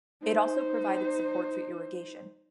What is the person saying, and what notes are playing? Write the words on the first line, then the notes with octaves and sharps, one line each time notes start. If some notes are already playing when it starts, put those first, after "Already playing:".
It also provided support for irrigation.
D#4 C5